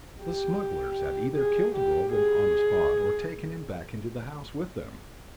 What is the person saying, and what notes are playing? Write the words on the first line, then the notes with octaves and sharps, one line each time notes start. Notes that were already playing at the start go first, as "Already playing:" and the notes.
The smugglers had either killed Grogan on the spot or taken him back into the house with them.
G4
G#4
G4
G#4